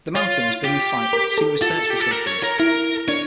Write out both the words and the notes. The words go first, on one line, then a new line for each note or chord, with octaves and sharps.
The mountain has been the site of two research facilities.
F4 C#5
G4
A#4
A4
F4 A4
G4
A4
A#4
C#5
A#4
E4 A#4
D4 C#5